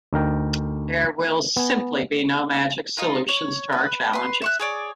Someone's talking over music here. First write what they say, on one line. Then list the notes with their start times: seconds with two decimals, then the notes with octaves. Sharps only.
There will simply be no magic solutions to our challenges.
0.13 D2 D#4 A#4 G5
1.56 B3 G#5
2.97 D#4 F4 A#4
3.29 C#5
3.72 B4
4.13 B4 C6
4.42 E5 C#6 F#6
4.60 G#4 C#5 D5